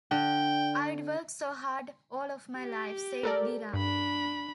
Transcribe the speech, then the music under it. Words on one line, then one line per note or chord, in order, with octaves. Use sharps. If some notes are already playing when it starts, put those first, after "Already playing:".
"I'd worked so hard all my life", said Gira.
D3 G5
G4
A4 A#4 D5
G2 D4 B5